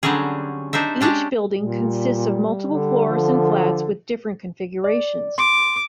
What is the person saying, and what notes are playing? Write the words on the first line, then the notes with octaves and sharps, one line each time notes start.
Each building consists of multiple floors and flats with different configurations.
D3 F#3 G3 C4 C#4 G#4
D4 D#4 C5 E5
G#3 C#4 D4 G4
A#2 G3
D3
F3
D5
C6 D6